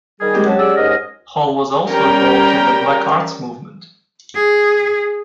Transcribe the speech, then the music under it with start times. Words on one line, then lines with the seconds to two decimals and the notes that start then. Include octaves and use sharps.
Hall was also involved in the Black Arts Movement.
0.21 D#3 G3 G#4
0.34 G#3 C4 G4
0.45 F#3 C#4 A5
0.59 G#4 D5 E6
0.76 G#2 A#4 D#5
1.90 G3 C#4 A#4 G5 A#5
4.35 G#4